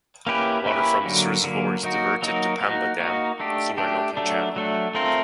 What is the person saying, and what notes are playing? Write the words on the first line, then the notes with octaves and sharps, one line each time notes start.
Water from this reservoir is diverted to Pamba dam through an open channel.
A#3 C#4 E4 G4 B4
A#3 C#4 E4 G4 B4
D3 F#3 A#3
D3 F#3 A#3
F#3 A#3 D#4 F#4 A#4
F#3 A#3 D#4 F#4 A#4
A#3 D#4 F#4
A#3 D#4 F#4
A3 D4 G4
A3 D4 G4
F#3 A3 D4
F#3 A3 D4
A3 C4 F4 A#4